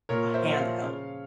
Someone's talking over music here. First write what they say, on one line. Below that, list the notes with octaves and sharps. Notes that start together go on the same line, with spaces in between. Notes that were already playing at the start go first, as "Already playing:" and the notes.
a handheld,
A#2 A#4 C#5
C5 E5
F3 E5
C#5 F5
C#3